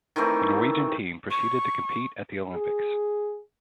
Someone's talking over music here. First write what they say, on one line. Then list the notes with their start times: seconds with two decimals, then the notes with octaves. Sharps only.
The Norwegian team proceeded to compete at the Olympics.
0.16 D#3 E3 A3 C4
1.31 C#6
2.54 G#4